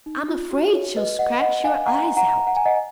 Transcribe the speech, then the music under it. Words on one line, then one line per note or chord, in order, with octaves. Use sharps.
"I'm afraid she'll scratch your eyes out."
D#4
F4
F#4
C#5
B4 D#5
D#5 F#5
D#5 F#5
F5 G#5
F#5 A#5
F#5 A#5
F#5
G#5
D#5 F#5